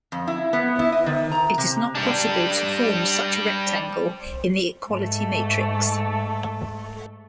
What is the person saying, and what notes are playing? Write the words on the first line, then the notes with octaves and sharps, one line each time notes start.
It is not possible to form such a rectangle in the equality matrix.
F2
E4
B3
E4
D#5
D#3
A#5
C3
G3 D4
G#2 A3